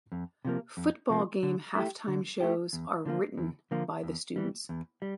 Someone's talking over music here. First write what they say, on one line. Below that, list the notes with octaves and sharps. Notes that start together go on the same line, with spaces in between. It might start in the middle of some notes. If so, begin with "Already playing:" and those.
Football game halftime shows are written by the students.
F2
C3 F3 A#3
F2
C3 F3 A#3
D3
A3 E4 G4
D3
A3 E4 G4
E2
D3 F3 A#3 F4
E2
D3 F3 A#3 F4
E2
E3 G3
E2
G3